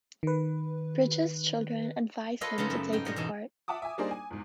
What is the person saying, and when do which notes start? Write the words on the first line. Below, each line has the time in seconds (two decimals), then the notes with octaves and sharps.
Bridges' children advised him to take the part.
0.23 D#3 B4
2.41 F4 A4 B4 C#5 D#5 F5
2.58 C#3 G#3 A3 B3 D#4
2.70 F#2 E5
2.92 G#2 D#4 G5
3.05 G#2 B2 G3 D#5 F5 F#5
3.16 E2 B2 D#4 A5
3.68 E5 F#5 A5 D6 D#6
3.82 E5 G#5
3.98 G3 A#3 D4 D#4 G#4 C5
4.11 G#5
4.30 E2 G#2